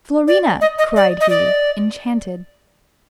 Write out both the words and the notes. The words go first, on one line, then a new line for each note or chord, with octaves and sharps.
"Florina!" cried he, enchanted.
D5
D#5
D#5
D5
D#5
D5